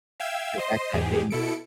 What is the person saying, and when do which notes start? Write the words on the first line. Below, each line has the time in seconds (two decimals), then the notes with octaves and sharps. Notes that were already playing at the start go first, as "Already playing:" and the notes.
the fact that they
0.20 E5 F5 G5 E6 G#6
0.58 C5 D#5 C6
0.94 E2 G#2 G4 G#4
1.30 B2 E4 A4 C#7 D7